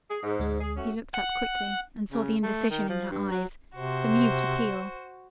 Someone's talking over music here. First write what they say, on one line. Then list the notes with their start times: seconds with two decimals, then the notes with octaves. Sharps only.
He looked up quickly and saw the indecision in her eyes, the mute appeal.
0.10 G#4
0.23 G#2
0.40 D2 G#3
0.60 G#4
0.76 A3 C#4 F#4
1.14 F#5
2.12 C#3
2.43 A3
2.70 D#3
2.89 F3
3.11 G2
3.31 F#3
3.76 C3 F#4 C5